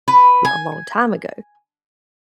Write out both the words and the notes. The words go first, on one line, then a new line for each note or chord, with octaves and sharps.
a long time ago,
B4
G#5